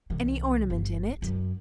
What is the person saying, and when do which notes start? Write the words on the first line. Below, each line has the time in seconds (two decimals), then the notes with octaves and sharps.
"Any ornament in it?"
0.10 C2 E3
0.70 G1
1.22 F#2